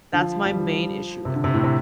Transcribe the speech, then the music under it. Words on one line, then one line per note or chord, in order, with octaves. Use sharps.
That's my main issue with it.
D3
F3
G3
F3
C3
D3
C3
A2
C3